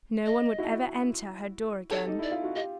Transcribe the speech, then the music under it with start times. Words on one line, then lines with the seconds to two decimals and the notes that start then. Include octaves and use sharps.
No one would ever enter her door again.
0.26 D#5
0.58 E4 F#4
1.90 G4 A4 C#5
2.07 D#4
2.19 E4 D5
2.32 F4
2.44 F#4
2.56 F4 G4 D#5